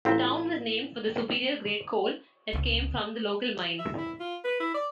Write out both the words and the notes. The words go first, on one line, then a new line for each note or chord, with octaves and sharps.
The town was named for the superior-grade coal that came from the local mines.
A1 C4 E4 F4 F5
C#2
E5
E4
F4
B4
E4
D5